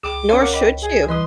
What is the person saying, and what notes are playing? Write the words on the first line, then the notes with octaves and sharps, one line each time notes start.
Nor should you.
C#2 G#4 G5 B5 D6
C#4 C#5 F5 C6
A#4 C#5 F#5 C#7
D#5 G5 B5
G#4
E3 G3 B4 D#5 C6 D#6